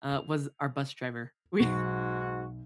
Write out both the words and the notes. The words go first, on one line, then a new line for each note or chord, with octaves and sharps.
uh, was our bus driver. We
F7
B1 G#2 F#4